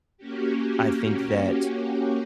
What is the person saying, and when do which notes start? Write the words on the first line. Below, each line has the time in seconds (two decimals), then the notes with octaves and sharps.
I think that
0.17 A#3 C#4 F#4 G4